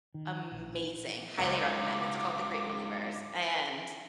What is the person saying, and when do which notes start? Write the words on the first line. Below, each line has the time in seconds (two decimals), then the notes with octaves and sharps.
amazing, highly recommend, it's called The Great Believers, and
0.14 D#3
0.52 A#1
1.38 C#2 G#2 F#3 D6